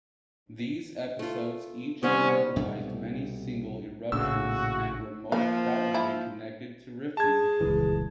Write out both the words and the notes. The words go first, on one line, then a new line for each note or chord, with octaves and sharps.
These episodes each comprised many single eruptions and were most probably connected to rifting.
A3 F4
C3 D#3 G3 B3 C#4 F#5
C2 B2 A3
A#1 A2 C#3 F#4 E6
F3 A#3 F5
E4
G#4 A5 G#6
D#1 C#2 E3